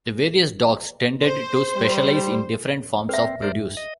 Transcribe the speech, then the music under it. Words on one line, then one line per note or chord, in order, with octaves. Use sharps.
The various docks tended to specialise in different forms of produce.
C5
G3
C4 B4 E5
A#4 C5 D5
G2
D#5